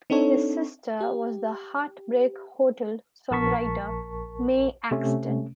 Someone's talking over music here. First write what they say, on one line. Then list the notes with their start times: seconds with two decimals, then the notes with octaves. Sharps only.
His sister was the "Heartbreak Hotel" songwriter Mae Axton.
0.10 C4 D4 D#4 A4 C#5
1.01 G4
3.31 A#1 A#4 A5 C#6 B6
4.91 C3 A3 C#4